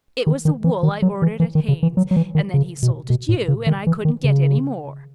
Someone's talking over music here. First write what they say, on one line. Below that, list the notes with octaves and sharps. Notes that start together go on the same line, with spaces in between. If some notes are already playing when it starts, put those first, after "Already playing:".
"It was the wool I ordered at Heynes's, and then he sold it you, and I couldn't get any more."
D#3
D#3
E3
D#3
F#3
E3
E3
D#3
C#3
E3
F#3
F#3
E3
D#3
C#3
B2
B2
A2
C#3
D#3
E3
D#3
C#3